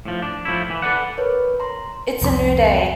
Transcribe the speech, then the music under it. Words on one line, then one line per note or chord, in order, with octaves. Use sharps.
It's a new day.
A2 F3
D4
A2 F3 A3 E4
E3
A4 B4 D5 F#5
A#4 B4 C#5
A#5 C6
C2 F2 G#3 C4